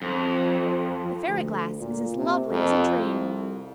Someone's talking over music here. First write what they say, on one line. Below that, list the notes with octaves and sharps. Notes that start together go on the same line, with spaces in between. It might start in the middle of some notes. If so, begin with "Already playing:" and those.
The fairy glass is as lovely as a dream.
F2
D2
A#2
C3
F2
C2